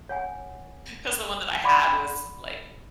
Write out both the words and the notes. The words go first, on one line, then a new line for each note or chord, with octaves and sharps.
'cause the one that I had was, like,
C#5 F#5 G#5
D5 F#5 B5 C6 D6